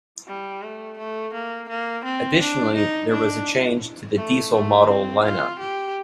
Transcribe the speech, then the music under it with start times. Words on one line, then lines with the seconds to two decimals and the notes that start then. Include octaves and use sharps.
Additionally there was a change to the diesel model lineup.
0.28 G3
0.63 A3
0.98 A3
1.33 A#3
1.69 A#3
2.04 C4
2.41 D4
2.76 D#4
3.11 D4
4.17 A3
4.53 A3
4.88 C4
5.24 F4
5.59 G4